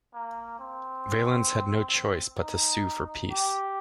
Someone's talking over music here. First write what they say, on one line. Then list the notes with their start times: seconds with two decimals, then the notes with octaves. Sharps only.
Valens had no choice but to sue for peace.
0.14 A#3
0.59 C4
2.40 D#4
3.31 G4